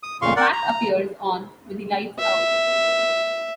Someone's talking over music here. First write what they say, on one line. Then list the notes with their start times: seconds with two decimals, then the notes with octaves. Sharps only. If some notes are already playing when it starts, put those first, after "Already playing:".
The track appears on "With the Lights Out".
0.03 D#6
0.22 F2 A#2 C#3 F5 C6 C#6
0.36 A#4 D5 F#5
0.53 A#5
2.19 E5